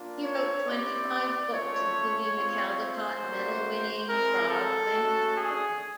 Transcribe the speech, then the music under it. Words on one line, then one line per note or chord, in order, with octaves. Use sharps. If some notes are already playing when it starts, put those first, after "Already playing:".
He wrote twenty-five books, including the Caldecott Medal-winning "Frog Went A-Courtin'".
Already playing: A#3 D4 F4
C#5
C4 E4 G4 D5
A3 C#4 F4 C#5
C4 F4
C5
A#3 C#4 F#4
G#3 C4 E4 A#4
A4
A3 C#4 F#4
G#4